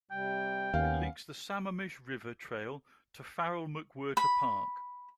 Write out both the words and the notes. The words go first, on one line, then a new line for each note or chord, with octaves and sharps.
It links the Sammamish River Trail to Farrel-McWhirter Park.
C3 G3 G5
D#2 B3 C#4 F5
B5